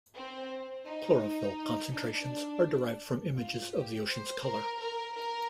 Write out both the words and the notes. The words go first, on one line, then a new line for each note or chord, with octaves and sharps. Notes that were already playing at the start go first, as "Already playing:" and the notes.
Chlorophyll concentrations are derived from images of the ocean's color.
C4
D#4
D4
F4
G4
C5
A#4
A#4
A#4